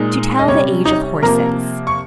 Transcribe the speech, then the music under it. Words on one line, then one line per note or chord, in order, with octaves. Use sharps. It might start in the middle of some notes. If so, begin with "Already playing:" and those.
To Tell the Age of Horses.
Already playing: A#2 G#3 D#4
D#5
C3 G3 C#4 C#5
D#4 D#5
C3 F3 A#3 A#4 A#5
C#6